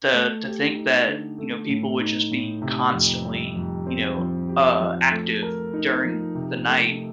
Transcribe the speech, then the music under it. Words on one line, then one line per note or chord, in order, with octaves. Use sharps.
The to think that, you know, people would just be constantly, you know, uh, active during the night,
A3
G4
D#4
D3
A3
A2
D#4
A2
C3
F2
G3
F2
C4
F3
G4
F3
A3
A#4
D#4
F3
C3
A3